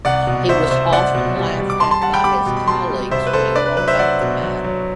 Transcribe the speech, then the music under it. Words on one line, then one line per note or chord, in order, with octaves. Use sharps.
He was often laughed at by his colleagues when he brought up the matter.
C2 D5 F#5
B2
C2 C5 E5
C2 C5 E5
C2 D5 F#5
B2
G3
G3
D6
G3 A5 C6
A5 C6
G3 F#5 A5
G5 B5
G3 B5 D6
B2
B5
B2 A5 C6
G3
C2 C5 E5
B4
C2 A4 C5
D4 B4 D5
B4
F#3 B4
C5 E5
F#3 D5 F#5
B2
F#3
F#3